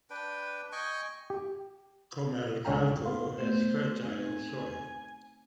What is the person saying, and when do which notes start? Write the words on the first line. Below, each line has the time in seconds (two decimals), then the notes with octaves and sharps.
Comalcalco has fertile soil.
0.10 D4 B4 G5
0.72 D#5 G5 G#5 C#6
1.30 G4
2.65 C#2 D3 C#4 F5 G5 A#5
3.06 B3 F4
3.38 A3 B3 C5
4.03 C4 D#4 G#5